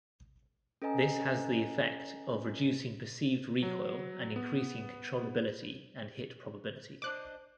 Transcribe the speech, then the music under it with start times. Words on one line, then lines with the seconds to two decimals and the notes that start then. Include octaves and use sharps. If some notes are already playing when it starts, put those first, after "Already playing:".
This has the effect of reducing perceived recoil and increasing controllability and hit probability.
0.82 C#4 A4 B4 D#5 G#5 A#5
3.63 F#3
4.36 B3
7.02 D4 C5 D#5 D6 F#6